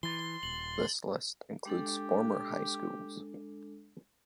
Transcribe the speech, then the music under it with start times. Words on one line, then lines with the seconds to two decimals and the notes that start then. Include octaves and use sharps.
This list includes former high schools.
0.03 E3 C6 A6 G7
0.43 D#1 F#7
1.65 G#3 D4 G4 A4